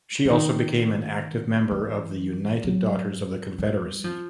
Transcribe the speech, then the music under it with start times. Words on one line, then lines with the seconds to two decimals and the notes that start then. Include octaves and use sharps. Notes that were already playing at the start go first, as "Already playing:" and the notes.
She also became an active member of the United Daughters of the Confederacy.
0.25 E3
0.30 D#3
1.71 E3
2.64 F#3
3.58 G3
4.04 F3